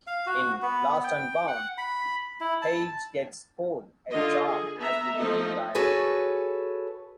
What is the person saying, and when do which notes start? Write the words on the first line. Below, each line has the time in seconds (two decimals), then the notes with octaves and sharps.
In "Lost and Bound", Paige gets Cole a job as a legal aid lawyer.
0.07 F5
0.27 F#4
0.62 B3
1.04 G5
1.47 F#5
1.78 B5
2.40 E4
2.62 A5
4.11 D3 F4 D#5
4.46 G#4
4.78 B3 E5 A#5
5.16 F3 A3 D#4 A4 D#5
5.75 F#4 G#4 A4 B4 C#5 G#5